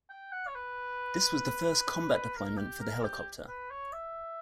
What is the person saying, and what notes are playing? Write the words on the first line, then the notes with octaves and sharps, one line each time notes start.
This was the first combat deployment for the helicopter.
G5
F#5
C#5
B4
B4
A#4
G4
A#4
G4
B4
C#5
E5